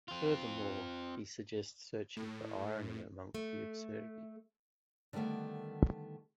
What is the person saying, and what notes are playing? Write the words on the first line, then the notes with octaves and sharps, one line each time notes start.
Furthermore, he suggests searching for irony amongst the absurdity.
C4 F4
A2
A3
D3 D#3 G3 A3 B3